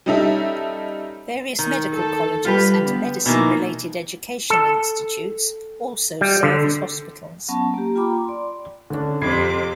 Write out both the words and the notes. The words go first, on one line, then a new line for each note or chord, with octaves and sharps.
Various medical colleges and medicine related educational institutes also serve as hospitals.
G3 C#4 D#4 A4 E5
D#3
A4
G3 F4 G4 B4
D3 B3
B2 E3 A#3 D#4
A4
G3
D3
F#3 B3 C#4 A5
A#3 G4
F4 G5 A#5 B5 D6
D5 C6
D3 C#4 D4
F2 C3 B5 D6 G#6 C7